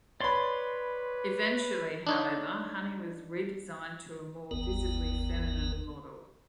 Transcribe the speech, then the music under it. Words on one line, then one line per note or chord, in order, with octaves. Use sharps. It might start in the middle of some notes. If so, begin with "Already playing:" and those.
Eventually, however, Honey was redesigned to a more visibly feminine model.
B4 C#5 D5 B5 C6
D4 D#4 C#5
G1 D#2 B3 A#4